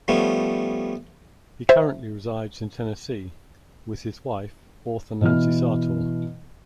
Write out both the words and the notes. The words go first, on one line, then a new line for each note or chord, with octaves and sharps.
He currently resides in Tennessee with his wife, author Nancy Sartor.
F3 G3 A3 B3 C#4
C5 E5
B2 E3 F6